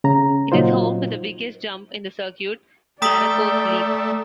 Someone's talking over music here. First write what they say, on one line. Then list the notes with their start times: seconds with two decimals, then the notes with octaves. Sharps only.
It is home to the biggest jump in the circuit, Larocco's Leap.
0.04 C#3 A#5
0.52 A#2 F#3 D#4 F4 C5
3.02 A3 D5 G5 A#5 D#6 B6